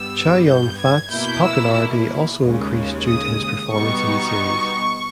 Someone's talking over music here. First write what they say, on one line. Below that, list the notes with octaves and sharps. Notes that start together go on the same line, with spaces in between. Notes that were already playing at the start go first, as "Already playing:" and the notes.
Chow Yun-fat's popularity also increased due to his performance in the series.
Already playing: G2 G3 B3 E6
G6
G#6
B2 A#3 E4 G6
E6
D#2 C#3 G#3
D#6
B2 G3 B3 D#4 C#6